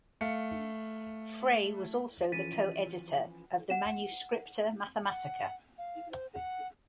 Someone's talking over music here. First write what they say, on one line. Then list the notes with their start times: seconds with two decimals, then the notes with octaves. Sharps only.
Frey was also the co-editor of the "Manuscripta Mathematica".
0.21 A3 F5 C#7
2.32 E3 F3 C#4 A6 B6 D#7
3.70 F#5 E7
5.08 F#5
5.78 F5
6.11 C5
6.34 F#5